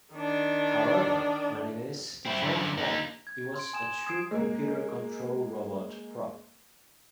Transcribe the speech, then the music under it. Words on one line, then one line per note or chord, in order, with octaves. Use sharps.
However, when in its default form, it was a true computer-controlled robot prop.
D#3 D4
C4 E4
F#2 D3
A#3 D#4
G#6
C6 D7
G#5 D#6 G#6 E7
D#6 G#6 C7 D7 E7
G#3 A#3